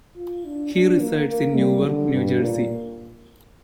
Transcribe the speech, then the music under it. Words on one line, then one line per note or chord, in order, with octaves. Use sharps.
He resides in Newark, New Jersey.
F4
D4
D4
A#3
A#3
G3
D3
G2
A#2